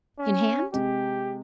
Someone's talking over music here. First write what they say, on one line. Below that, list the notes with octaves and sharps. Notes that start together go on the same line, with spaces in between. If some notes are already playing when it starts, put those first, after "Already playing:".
"In hand?"
C#4
C3 G#3 G4